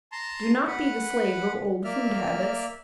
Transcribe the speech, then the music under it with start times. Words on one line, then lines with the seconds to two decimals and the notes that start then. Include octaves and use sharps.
Do not be the slave of old food habits.
0.12 A5 A#5 C6
0.67 B4 F#5 B5
1.84 A#3 D5 E5 F6